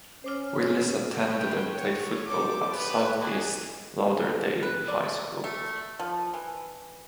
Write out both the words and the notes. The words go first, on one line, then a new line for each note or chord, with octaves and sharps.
Willis attended and played football at Southeast Lauderdale High School.
C#4 C5 D6 F6
C4 B4 C#5 G5
F#4 C#5
G4 A4 D6
B3 D#4 G4 B4
G#4 D5 D#5 F#5 G#5
B4
D5
A3
F3
E3